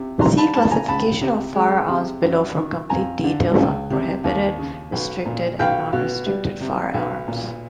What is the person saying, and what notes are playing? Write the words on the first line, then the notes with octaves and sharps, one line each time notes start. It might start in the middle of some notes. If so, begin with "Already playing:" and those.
See Classification of firearms below for complete details on prohibited, restricted and non-restricted firearms.
Already playing: C3
G3 A#5 C6
A5 B5
G#2 A5 B5
G#5 A#5
C#2 A5 B5
C3
G#3
C3
F#2
D#3
F2 G#5 A#5
D3
C#2
C3
D#2
C#3
B1
A#2
B1 F5 G5
B2
G3
C3
B1
A#2